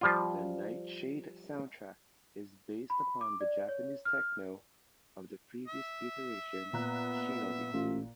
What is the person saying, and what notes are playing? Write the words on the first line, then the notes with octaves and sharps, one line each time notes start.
The "Nightshade" soundtrack is based upon the Japanese techno of the previous iteration, "Shinobi".
F3 G3 F4
B5
D6
D5
C#5
F6
E5
A#2 B3 A#5 F#6
A1 F4